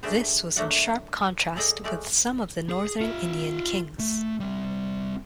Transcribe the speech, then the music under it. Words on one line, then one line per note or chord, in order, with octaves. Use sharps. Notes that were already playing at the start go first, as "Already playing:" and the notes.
This was in sharp contrast with some of the northern Indian kings.
A3 A#3 D4 G4 G#4 C5
F#3 A3 A#3 D4 E5 F#5
G#4 A4 D5 D#5 G5 G#5
F3 G#3 A3 D5
G#4
F4 E5
A3
G3 C4